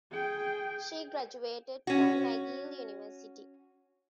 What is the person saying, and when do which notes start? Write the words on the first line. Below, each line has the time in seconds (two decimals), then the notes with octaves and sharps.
She graduated from McGill University.
0.11 G#4 G5
1.87 C#4 F#4